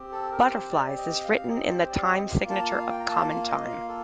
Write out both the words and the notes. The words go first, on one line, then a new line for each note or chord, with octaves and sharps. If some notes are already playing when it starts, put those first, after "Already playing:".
"Butterflies" is written in the time signature of common time.
Already playing: C4 G4
A4
A#4
C5
D5
D#5
F5
D#5
C5
D5
D#5
A#3 F4 F5
A5
F5
G5
A#5
A5
F5
D#5
F5
A4